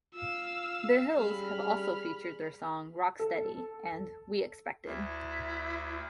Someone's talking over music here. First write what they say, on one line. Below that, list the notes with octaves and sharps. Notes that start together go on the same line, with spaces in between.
"The Hills" have also featured their song "Rocksteady" and "We Expected".
F4 F5 E6
G3 C#4 G#4 B5 F6
A4
D2 E4